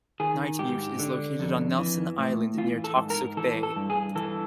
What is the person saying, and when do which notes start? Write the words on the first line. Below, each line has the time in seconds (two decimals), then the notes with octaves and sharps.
Nightmute is located on Nelson Island near Toksook Bay.
0.20 D#3 G#4
0.59 G#2 G4
0.99 D3
1.39 F2
1.78 E3
2.18 A2
2.58 E3 F4
2.84 A4
2.96 G#2
3.10 A#4
3.37 E3 A4
3.63 A4
3.76 G2
3.90 G#4
4.15 E3 A4